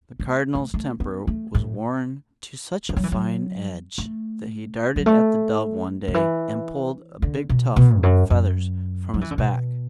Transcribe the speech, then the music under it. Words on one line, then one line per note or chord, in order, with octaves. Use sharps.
The Cardinal's temper was worn to such a fine edge that he darted at the dove one day and pulled a big tuft of feathers from his back.
A3
A3
A3
B3
A3
A2
A3
F#3
E3
F#3
A3
F#3
A3
D3
E3
D3
B2
B2
E2
F#2
F#2
F#3
E3
D3
B2